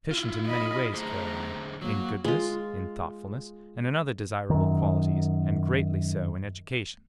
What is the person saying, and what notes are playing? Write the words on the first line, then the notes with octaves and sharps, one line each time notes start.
Deficient in many ways, Caroline: in goodness, in thoughtfulness, and in other desirable qualities; and greatly so in education.
E4 F4
D#5 B5
D3 A3 G#4 C5 A#5
F#3 A#3 F#4
G#3 F4
F#2 D#3